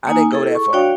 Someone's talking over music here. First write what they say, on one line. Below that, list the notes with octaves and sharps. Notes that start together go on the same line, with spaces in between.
I didn't go that far.
A#3 D#4 G#5
E4 G#4 A4
C#6
D4 F#4 C#5 D5 F5 G5